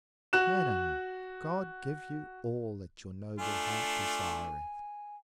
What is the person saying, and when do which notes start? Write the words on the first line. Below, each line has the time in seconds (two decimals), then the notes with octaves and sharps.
Madam, God give you all that your noble heart desireth!
0.33 F#4 F#6 E7
3.39 A3 D4 F4 G#5